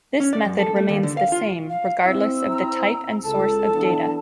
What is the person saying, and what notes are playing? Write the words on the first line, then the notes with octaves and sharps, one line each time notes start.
This method remains the same regardless of the type and source of data.
C#4
D5
F#2
A4
A3
D#2
D3
F5
F4
F5
C4 E4 E6
A#5
C#2 A4 A5
E3 B3 D4